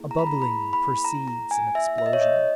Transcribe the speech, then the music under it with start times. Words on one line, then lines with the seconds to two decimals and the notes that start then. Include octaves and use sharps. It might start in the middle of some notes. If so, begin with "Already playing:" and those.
A bubbling precedes an explosion.
Already playing: A#3 E4 G#4
0.11 A#5
0.19 B5
0.27 A#5
0.42 B5
0.73 B5
1.05 A#5
1.28 A#5
1.51 G#5
1.75 E5
1.98 E5
2.06 D#5
2.13 C#5
2.21 D#5